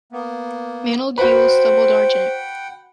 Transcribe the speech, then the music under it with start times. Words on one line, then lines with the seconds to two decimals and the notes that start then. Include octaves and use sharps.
Mantled gules doubled argent.
0.13 A#3 B3
1.18 F#4 B4 C5 F#5 G5